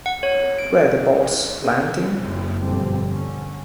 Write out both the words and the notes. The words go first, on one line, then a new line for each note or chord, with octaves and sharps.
Were the boats landing?
F#5
C#5
D7
F#1 F#2 C4
G1 F2 B2 D3 G3 C4
D3 C#4